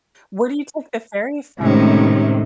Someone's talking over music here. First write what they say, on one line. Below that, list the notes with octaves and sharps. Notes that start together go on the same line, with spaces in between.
Where do you take the ferry from?
A2 C3 D#3 G#3 C#4